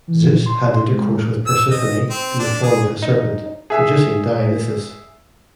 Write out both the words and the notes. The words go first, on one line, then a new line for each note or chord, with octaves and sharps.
Zeus had intercourse with Persephone in the form of a serpent, producing Dionysus.
E3
A#2
C6
G#3
A#2
E6
D#5
C4
D4
G#4
D#4
G#4 E5